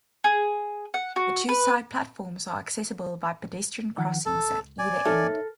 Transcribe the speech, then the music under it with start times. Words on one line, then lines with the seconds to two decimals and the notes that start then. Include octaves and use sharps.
The two Side platforms are accessible by pedestrian crossings at either end.
0.24 G#4
0.94 F#5
1.16 F#4
1.49 B4
3.98 D#3 F3 F#5
4.26 C#2 A4
4.79 D5 G#5
5.05 D#4 A4 A#4 C#5 E5